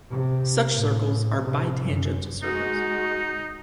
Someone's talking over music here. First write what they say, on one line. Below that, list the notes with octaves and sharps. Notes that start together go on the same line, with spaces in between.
Such circles are "bi-tangent" circles.
C3
A2
C3
F#2
G#3 D#4 F#4